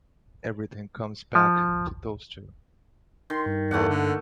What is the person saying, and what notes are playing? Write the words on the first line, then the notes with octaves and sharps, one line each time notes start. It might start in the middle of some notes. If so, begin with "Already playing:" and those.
Everything comes back to those two.
F3
D#3 C6
G2
E2 A3 A#3 F#5
D3